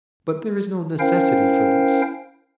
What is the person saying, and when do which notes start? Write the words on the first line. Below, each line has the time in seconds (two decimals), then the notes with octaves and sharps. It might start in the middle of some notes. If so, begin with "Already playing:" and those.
But there is no necessity for this.
0.99 C#4 E4 A#4 C5 F5 G5